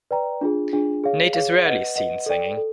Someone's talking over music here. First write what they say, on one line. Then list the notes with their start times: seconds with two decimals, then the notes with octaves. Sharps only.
Nate is rarely seen singing.
0.11 B4 D5 G5 A#5
0.41 D4 F4 G#4
0.73 D4 F4 G#4
1.04 G#4 C#5 F5
1.34 G#4 C#5 F5
1.66 B4 D#5 F#5
1.96 B4 D#5 F#5
2.26 A4 D5 G5
2.57 A4